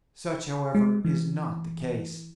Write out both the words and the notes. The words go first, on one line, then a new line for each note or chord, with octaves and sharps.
Such, however, is not the case.
G#3
E3